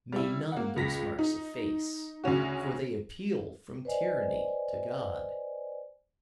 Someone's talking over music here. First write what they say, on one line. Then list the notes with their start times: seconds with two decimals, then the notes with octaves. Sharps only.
May none those marks efface! For they appeal from tyranny to God.
0.12 G3 E4
0.52 A#3 F#5
0.76 C#2 A#6 B6
1.19 D#4
2.24 D2 C#3 C#4 F#4
3.85 B4 C5 D5 D#5 G#5